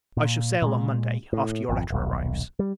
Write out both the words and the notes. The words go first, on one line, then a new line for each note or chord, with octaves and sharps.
I shall sail, on Monday, after your letter arrives.
A#2
A#2 G#3
A2
G#1 F2
D#1 B1
G3